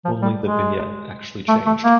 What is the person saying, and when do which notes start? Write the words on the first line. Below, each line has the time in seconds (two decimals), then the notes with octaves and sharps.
Only the vignette actually changed.
0.05 F3
0.22 G3
0.41 G#3
1.48 A3
1.66 A3
1.84 A#3